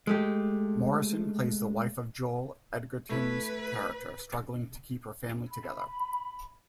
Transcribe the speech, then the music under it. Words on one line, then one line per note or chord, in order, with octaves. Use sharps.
Morrison plays the wife of Joel Edgerton's character, struggling to keep her family together.
G#3 A3 G4
A3 E4 B4
B5